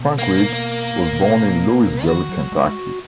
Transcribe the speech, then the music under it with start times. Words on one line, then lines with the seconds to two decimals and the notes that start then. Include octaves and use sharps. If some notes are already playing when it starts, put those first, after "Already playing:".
Frank Riggs was born in Louisville, Kentucky.
Already playing: B2
0.19 A#3
1.12 B2
2.06 D#3 F#4
2.29 F#3
2.52 G#3